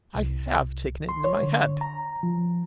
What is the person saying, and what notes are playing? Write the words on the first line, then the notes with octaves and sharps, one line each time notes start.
I HAVE taken it into my head.'
C2
C6
C#5
D3
A#5
F3